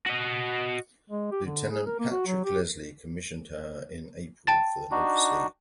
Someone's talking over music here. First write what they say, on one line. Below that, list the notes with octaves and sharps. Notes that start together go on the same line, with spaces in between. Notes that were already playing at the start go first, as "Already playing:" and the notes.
Lieutenant Patrick Leslie commissioned her in April for the North Sea.
F#4 D#5
G#3
G4
D3
G#4
A#4
A#3
F#4
F#3
G4
G5 A5 A6
D4 D#4 F#4